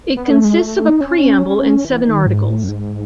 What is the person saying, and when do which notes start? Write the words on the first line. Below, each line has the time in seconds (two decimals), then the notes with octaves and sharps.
It consists of a preamble and seven articles.
0.17 B3
0.30 A3
0.44 G#3
0.59 A3
0.89 D#4
1.01 C#4
1.85 E3
2.05 D#3
2.26 G#2
2.47 A2
2.64 F#2
2.68 G#2